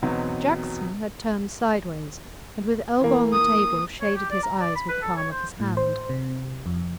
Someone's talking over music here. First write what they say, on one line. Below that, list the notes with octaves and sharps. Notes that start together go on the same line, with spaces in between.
Jackson had turned sideways, and with elbow on the table shaded his eyes with the palm of his hand.
E2 B2 F#3 B3 C4 D#4
E3 A#3
D#6
C#5
G4
D5
A#5
D5
B5
B4
A4
C#5
C5
A2
C5
C3
F2